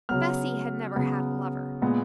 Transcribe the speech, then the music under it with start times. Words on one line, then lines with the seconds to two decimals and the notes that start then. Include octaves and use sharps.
Bessy had never had a lover.
0.09 C#3 F#3 B3 F6
0.96 C#3 F#3 B3
1.82 A#2 G#3 B3